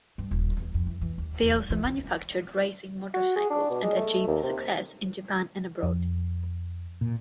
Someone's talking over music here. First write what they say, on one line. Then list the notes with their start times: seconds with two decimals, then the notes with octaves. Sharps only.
They also manufactured racing motorcycles and achieved success in Japan and abroad.
0.18 G2
0.31 D#1
0.57 E2
0.74 F2
0.87 E3
1.01 E3
1.18 D#2
1.43 E2
1.54 D1
1.70 E3
1.84 D3
3.14 F#4
3.36 G#4
3.50 D4
3.70 B2
3.83 G#3
3.96 A3
4.27 D#2
4.43 C3
5.83 F2
7.01 A#2